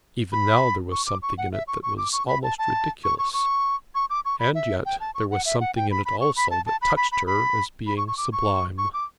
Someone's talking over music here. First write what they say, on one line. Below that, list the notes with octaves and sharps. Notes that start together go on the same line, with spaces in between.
Even now there was something in it that was almost ridiculous--and yet there was something in it also that touched her as being sublime.
B5
C#6
D6
C#6
F#5
E5
C#6
C#6
D6
C#6
B5
A5
A5
C#6
C#6
C#6
C#6
D6
C#6
B5
E5
G5
A5
C#6
F#5
E5
F#5
G5
B5
B5
C#6
B5
A5
A5
B5
B5
B5
B5
B5
C#6
C#6
D6
C#6
C#6
D6